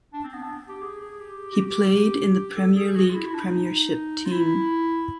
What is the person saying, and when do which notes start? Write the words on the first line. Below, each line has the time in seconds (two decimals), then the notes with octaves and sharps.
He played in the Premier League premiership team.
0.13 D4
0.24 C4
0.33 B3
0.43 D4
0.69 G4
0.82 G#4
1.01 G#4
1.21 G4
1.53 F#4
1.59 G4
2.56 A4
2.76 G#4
2.95 F#4
3.10 F4
3.14 E4
3.27 E4
3.35 D4
3.40 D#4
4.25 F4
4.31 E4